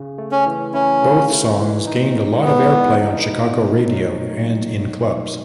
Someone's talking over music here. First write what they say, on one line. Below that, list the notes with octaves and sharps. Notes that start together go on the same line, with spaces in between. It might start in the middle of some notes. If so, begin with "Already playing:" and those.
Both songs gained a lot of airplay on Chicago radio and in clubs.
Already playing: C#3
A3
C#4
E3
C#4 E4
C#3
A3
E3
D#4
G#3
B3 A4
E3
D#4
B2
A3
F#3